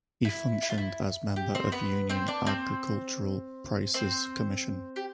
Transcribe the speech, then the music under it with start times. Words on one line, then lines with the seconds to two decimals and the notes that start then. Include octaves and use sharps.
He functioned as member of Union Agricultural prices Commission.
0.25 E4
0.62 E4
0.70 F4
0.78 E4
1.36 G4
1.55 C4 C5
1.72 B3 B4
2.09 C4 C5
2.28 D4 D5
2.46 C4 C5
3.94 C4 C5
4.96 G4